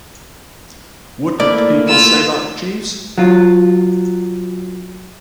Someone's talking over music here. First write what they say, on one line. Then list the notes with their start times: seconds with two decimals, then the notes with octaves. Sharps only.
Wouldn't people say that, Jeeves?
1.40 A3 A#3 E4 D5
1.88 F4 E6
3.18 F#3 F4